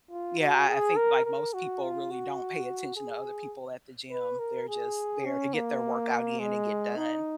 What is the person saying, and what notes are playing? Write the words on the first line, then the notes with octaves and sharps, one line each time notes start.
yeah, I I think, like, most people really don't pay attention to other people at the gym they're just there to get their workout in and get done.
F4
F#4
G#4
A#4
A#4
F#4
F4
F#4
G#4
B4
A#4
G#4
C#4
A#3
G#3
D#4